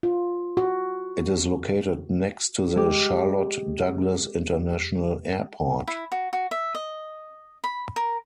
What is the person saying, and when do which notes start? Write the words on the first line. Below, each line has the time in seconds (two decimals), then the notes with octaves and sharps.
It is located next to the Charlotte-Douglas International Airport.
0.03 F4
0.57 F#4
2.76 G#3 G4
5.88 E4
6.12 F#4
6.33 F#4
6.51 E5
6.75 D#5
7.64 B5
7.96 A#4